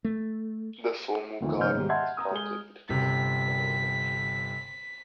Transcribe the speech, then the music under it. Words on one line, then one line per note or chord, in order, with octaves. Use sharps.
The formal garden is planted between May and June.
A3
G1 D2 D#3 F3
F#1 G#2 C5 C#5 F6 G6
G#2 B2 D#3 G3
D#5 E5 F#5 A5 C6 G#6
A#5 D#6
G#3 G#4 G7
G1 C3 B6